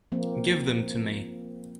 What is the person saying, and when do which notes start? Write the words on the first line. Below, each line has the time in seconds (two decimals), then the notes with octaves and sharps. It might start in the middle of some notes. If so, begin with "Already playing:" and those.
Give them to me.
0.12 F3 A#3 C4